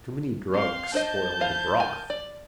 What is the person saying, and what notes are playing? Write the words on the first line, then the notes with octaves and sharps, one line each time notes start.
Too many drugs spoil the broth.
C4 F5 C6
D4 C5 D#5 A5 G6
E3 C5 F5
A#4 G#5
D5